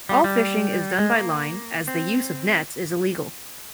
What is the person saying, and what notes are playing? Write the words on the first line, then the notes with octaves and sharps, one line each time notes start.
All fishing is done by line as the use of nets is illegal.
G3
G3
G#3
A#3
C4